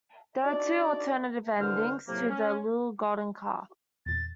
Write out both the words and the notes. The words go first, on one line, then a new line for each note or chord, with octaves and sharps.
There are two alternative endings to "The Little Golden Calf".
D4 D#4 F#4 D5
C2 G2 D3 D4 C5 F6
A2 C3 F#3 A#3
C#4
E2 A#2 A6